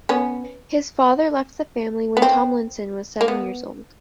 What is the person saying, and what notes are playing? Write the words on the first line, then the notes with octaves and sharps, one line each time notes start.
His father left the family when Tomlinson was seven years old.
B3 C#4
B3
C4
A#3
B3